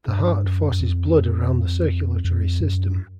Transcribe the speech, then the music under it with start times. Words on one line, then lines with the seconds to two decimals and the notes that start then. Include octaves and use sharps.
The heart forces blood around the circulatory system.
0.08 G2
0.44 F#2
0.72 F#2
0.81 F2
2.24 F2
2.61 F#2